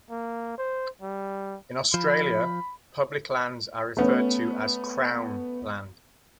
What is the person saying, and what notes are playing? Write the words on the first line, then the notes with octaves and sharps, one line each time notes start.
In Australia, public lands are referred to as Crown land.
A#3
C5
G3
F3 B5
A3 B3 C#4